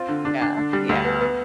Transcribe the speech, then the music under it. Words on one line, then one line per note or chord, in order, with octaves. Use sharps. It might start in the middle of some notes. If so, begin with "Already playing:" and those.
Yeah, yeah.
Already playing: C4 F4
D3
D4
D4
D3
G3
D2
B3
B3